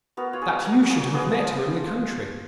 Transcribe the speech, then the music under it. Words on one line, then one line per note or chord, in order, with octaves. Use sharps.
That you should have met her in the country!
B3 F#4 A#4
F4 C#5
G#4 B4
F#3
F#3 F#4 A#4
F#3
F4 G#4
F#3
B3 F4 G#4
F3
F3